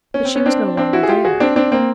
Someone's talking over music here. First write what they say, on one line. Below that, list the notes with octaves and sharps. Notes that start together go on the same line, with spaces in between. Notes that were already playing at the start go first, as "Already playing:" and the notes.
But she was no longer there.
C#4
C4
B3 C#4
C4 D4
C4 D4
E4 F#4
G#4
F4 G4
F#4 G#4
C4 D4
C4 D4
A#3 C4